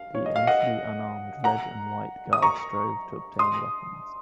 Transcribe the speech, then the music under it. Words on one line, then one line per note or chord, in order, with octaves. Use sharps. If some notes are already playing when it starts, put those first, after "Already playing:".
The initially unarmed Red and White Guards strove to obtain weapons.
Already playing: F5
C#5
D#5
F5
D#5 F#5
F#5 A#5
D#6
A#5 C#6
C6 D#6